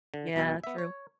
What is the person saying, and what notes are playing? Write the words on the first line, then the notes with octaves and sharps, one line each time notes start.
Yeah, true.
D3
B1 B2 E4 G#5
B3 E5
C#5